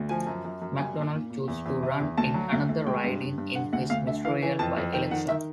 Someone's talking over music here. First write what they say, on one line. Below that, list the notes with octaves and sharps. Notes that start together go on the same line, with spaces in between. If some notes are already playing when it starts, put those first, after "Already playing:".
Macdonald chose to run in another riding in his ministerial by-election.
Already playing: D2
F3 G#5
F#2
F#2
F#2
G3 G#5
A#2
A#2
A#2
E2
E2
C3
E2
D2 A5
F#3
D2
D2
G#3 G5
G2
G2
G2
D3 F#5
D2 F#5
D2 F5
D3 E5
E3 F5
E3 G#5
F2 A5
F2
D#3 G5
D#3 F#5
D#3 E5